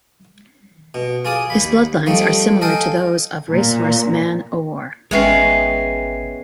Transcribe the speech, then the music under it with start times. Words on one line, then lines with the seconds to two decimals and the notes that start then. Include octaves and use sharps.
His bloodlines are similar to those of racehorse Man O' War.
0.94 B2
1.25 F4 G#4 D5 D#6
1.50 D#2 B5
2.06 F3 G3 A3 C4 D#4
2.61 A4 D#5 F5 G5 G#5
3.50 A#2
5.11 G#1 G#3 B3 C#4 G#4 E5 G5 C7